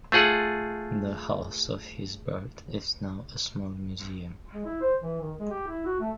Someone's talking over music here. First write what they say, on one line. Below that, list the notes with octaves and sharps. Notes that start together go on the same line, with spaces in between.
The house of his birth is now a small museum.
A3 F4 G#4 F#5
G#3
E4
C5
E3
D#3
G#3
G4
E4
F#4
A3